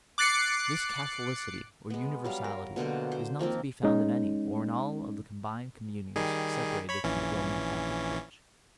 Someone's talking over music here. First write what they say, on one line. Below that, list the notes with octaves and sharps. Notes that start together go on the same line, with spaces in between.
This Catholicity, or universality, is not to be found in any, or in all, of the combined communions separated from the Roman Catholic Church.
D6 F#6 A6 C7 C#7
G#3 B3
F#3 G3 F5
A#4
B2 D3 A#3 C5
C5
D#3 F3 A#3 C4
G#3 C#4 D#4
D#3 G3 G#4
C#5 B5
A#1 E3 C#4